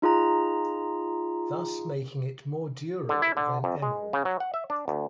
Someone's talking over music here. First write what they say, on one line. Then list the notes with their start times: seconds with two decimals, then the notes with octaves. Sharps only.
Thus making it more durable than emerald.
0.02 D#4 F4 G#4 A#5
3.09 D3
3.22 E4
3.37 D3
3.64 F2
3.82 G#3
4.13 C#3
4.25 F#3
4.40 F#5
4.54 E5
4.70 D4
4.88 D2